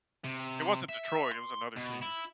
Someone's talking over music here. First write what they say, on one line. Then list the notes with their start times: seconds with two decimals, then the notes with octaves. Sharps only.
It wasn't Detroit, it was another team.
0.24 C3
0.89 E5
1.32 C6
1.76 B2
2.02 E4